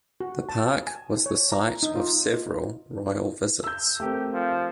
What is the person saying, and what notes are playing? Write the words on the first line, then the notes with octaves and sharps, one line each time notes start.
The park was the site of several royal visits.
F#4
A5
G#5
C#5
A#5
D#4
F4
E6 G6
A3 C4 G4 A#4
F3